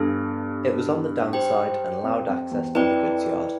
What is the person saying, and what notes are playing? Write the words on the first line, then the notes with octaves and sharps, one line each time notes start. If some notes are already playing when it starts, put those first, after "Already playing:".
It was on the down side and allowed access to the goods yard.
Already playing: G2 B3 D4 A4
G4 C5 G5
F2
F2
E2
F2 E4 B4 D5 G5